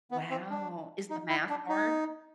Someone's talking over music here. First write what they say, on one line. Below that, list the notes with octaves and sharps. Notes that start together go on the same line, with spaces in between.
Wow, is the math hard?
B3
C4
D4
D#4
E4
D4
D#4